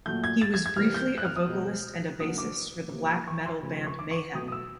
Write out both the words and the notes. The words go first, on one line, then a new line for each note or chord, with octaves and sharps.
He was briefly a vocalist and a bassist for the black metal band Mayhem.
A#2 F#3 A3 G6
G#6
A6
G#6
G#6
C3 E3 G3 A#3 F6
G6
F#6
F6
D#6
B2 G#3
D3 F#3 A#3 D#6
D6
C3 F3 A#3
C#6
C6
C#3 F3 A3 B5
C#6
D6
C#6
D6
B2 F#3 A3 D#6
D#6
E6